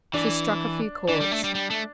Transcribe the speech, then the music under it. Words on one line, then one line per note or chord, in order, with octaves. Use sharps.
She struck a few chords.
E3 D4
E3 D4
G3
A3
G3
G3
A3